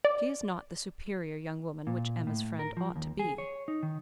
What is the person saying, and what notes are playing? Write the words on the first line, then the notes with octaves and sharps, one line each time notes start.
She is not the superior young woman which Emma's friend ought to be.
D5
A#2
A2
A#4
F3
D#2
G#4
C#5
D#4
D#3